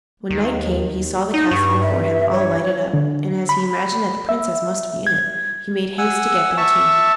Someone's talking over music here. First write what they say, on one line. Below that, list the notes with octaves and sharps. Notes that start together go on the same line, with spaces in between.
When night came he saw the castle before him all lighted up, and as he imagined that the Princess must be in it, he made haste to get there too.
D#2
D#4
G2 C#6
E5
C#5
D3
B5
E5
G#6
F#5 G#5 E6
E5 A5 C#6